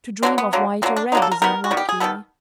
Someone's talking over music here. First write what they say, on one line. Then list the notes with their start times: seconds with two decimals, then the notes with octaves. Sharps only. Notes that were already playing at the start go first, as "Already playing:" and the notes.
To dream of white or red is unlucky.
0.23 D3 F#3 A#3 C4
0.38 B3
0.53 D3 F#3 A#3
0.82 D3 F#3 A#3 C4
0.96 D4
1.12 D3 F#3 A#3 D#4
1.22 A4
1.32 A#4
1.42 D#3 G3 B3 A#4
1.64 F#4
1.71 D#3 G3 B3
1.77 G4
1.89 G#4
2.00 D#3 G3 B3 A4